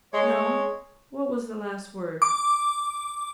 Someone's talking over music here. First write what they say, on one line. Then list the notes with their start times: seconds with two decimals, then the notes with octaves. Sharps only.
No? What was the last word?
0.14 G#3 C#5
2.22 D6